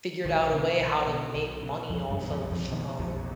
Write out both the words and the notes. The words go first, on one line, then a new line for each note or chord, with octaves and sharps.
figured out a way how to make money off of, um,
B1 D#3
B2 D3
B1
B2
B1
B2
B1 F2 F3
G2 G3
B2
F2 F3
B1
F2 F3
B2 D#3
B1 F2 F3